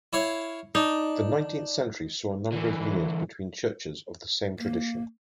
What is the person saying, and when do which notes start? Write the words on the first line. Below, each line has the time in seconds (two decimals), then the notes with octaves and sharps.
The nineteenth century saw a number of unions between churches of the same tradition.
0.13 E4 C#5 F5
0.75 D4 D#4
2.52 D3 E3
4.59 A#3